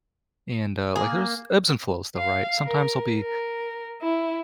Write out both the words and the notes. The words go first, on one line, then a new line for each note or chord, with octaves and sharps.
and, uh like, there's ebbs and flows though, right? Sometimes I'll be
A#3 G#4
F5
A#4
A#4
E4